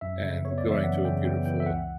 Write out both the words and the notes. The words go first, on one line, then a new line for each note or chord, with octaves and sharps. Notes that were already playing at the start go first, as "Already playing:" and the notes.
and going to a beautiful,
F#2 E5
C#3
B3 C#5
D5
E3
E5
F#2 F#5
C#3 G5
B3 G5
E3 G5
E5
C#2 F#5